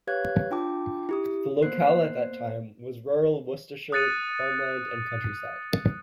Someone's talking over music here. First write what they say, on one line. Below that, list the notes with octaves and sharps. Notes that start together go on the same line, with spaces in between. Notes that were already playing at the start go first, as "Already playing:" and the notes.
The locale at that time was rural Worcestershire farmland and countryside.
G4 B4 C#5 F5 F#6 G#6
D4 F4 G5 A5 D6
E4 G4 D#6
A#3 B3 C5 F#6 C7
D#6 F#6 A6 C#7 D#7